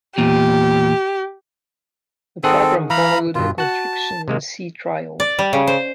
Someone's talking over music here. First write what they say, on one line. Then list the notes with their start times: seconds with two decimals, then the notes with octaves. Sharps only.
The programme followed her construction and sea trials.
0.18 E2 A#2 G4
2.44 D#3 C4 G#4 A4 F#5
2.90 E3 F5 A#5 B5
3.35 G2 B2 F4
3.58 F#4 F#5 A5
4.28 C3 G#3 A#3
5.20 D5
5.39 G3
5.53 C#3
5.67 C5